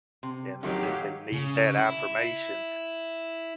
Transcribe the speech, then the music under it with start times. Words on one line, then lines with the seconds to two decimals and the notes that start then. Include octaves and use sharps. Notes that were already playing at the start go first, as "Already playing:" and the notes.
and and they need that affirmation.
0.23 C3
0.63 F2 A2 D#3 F#3 G4 F5
1.33 C#3
1.77 E4